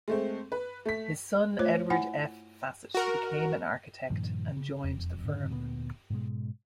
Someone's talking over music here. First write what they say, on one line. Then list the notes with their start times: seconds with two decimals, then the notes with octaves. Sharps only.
His son, Edward F. Fassett, became an architect and joined the firm.
0.08 G#3 A3 C4
0.52 B4
0.85 A3 B6
1.59 A3 F4 C5 C#5
1.90 E4 F#5 G#5
2.95 F#4 A#4
4.10 G2 A#2 D#3 F3
4.57 C#3
4.84 E1 F2
5.23 F2 G#2 D3
5.49 D2 A#2 G3 B3
6.10 G#2 B2 G#3